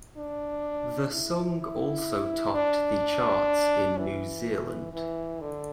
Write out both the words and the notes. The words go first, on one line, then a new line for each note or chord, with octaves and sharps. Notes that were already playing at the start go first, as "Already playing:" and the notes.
The song also topped the charts in New Zealand.
D4
E4
E4
D4
E3
E3
D3